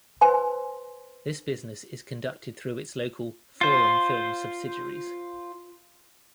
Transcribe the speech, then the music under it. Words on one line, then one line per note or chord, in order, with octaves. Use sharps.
This business is conducted through its local "Forum Film" subsidiaries.
B4 C5 G#5 C6
F4 C5